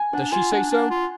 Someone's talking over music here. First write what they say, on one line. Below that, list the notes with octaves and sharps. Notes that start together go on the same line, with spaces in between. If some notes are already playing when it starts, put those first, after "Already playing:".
'Does she say so?
Already playing: G#5
D4 F#5
F4 G#5
D4 F#5
D4
F4